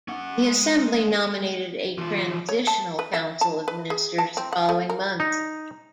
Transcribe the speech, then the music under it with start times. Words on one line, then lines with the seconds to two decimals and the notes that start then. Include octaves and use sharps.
The Assembly nominated a transitional Council of Ministers the following month.
0.08 C#4 F#5
0.42 G#3
1.98 E3 F4
2.49 C#5
2.67 A5
2.99 B4
3.14 E5
3.41 A5
3.68 B4
3.90 G#4
4.18 A5
4.37 C4
4.53 F#5
4.69 A3
4.90 A#4
5.20 D#4